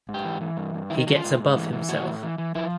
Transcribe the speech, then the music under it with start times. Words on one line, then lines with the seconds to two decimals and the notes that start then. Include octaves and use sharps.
He gets above himself.
0.09 G#2
0.14 G4
0.25 E3
0.41 E3
0.57 G2
0.74 G2
0.90 D#3 E4
0.99 D#4
1.07 D#3 F#4
1.16 F4
1.24 G#2
1.40 G#2
1.56 E3
1.73 E3
1.89 A2 F#4
2.06 A2
2.23 E3
2.38 E3
2.55 F3 E4